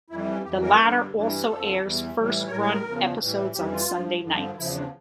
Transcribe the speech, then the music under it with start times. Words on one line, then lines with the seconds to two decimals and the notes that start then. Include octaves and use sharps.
The latter also airs first run episodes on Sunday Nights.
0.10 F2 E3 G3 E4
0.45 F2 E3 G3 G4
0.62 A#4
0.80 G2 D3 G3
1.14 G2 E3 G3
1.48 F2 D3 F3 A4
1.82 E2 E3 G3
2.17 A2 E3 G3
2.47 C#5
2.51 A2 G3 A#4
2.61 C#5
2.69 A#4
2.86 E2 C#3 F3
3.21 A2 E3 G3
3.54 F2 E3 G3 G4
3.71 F4
3.89 G2 F3
4.24 G2 D3 F3
4.58 E2 C#3 F3 E4
4.74 D4